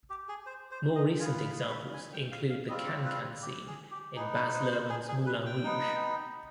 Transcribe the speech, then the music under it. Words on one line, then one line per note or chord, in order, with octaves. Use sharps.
More recent examples include the Can-can scene in Baz Luhrmann's Moulin Rouge!
G4
G#4
C5
C5
D#5
B3 F4 G#5
B5
B5
G#5
G5
F5
F5
G3 C4 F4 D#5
D5
B4
G4
G#4
G4
B3 D#4 G#4
B4
C5
C5
G#4
G#4
B4
G5
B3 D#4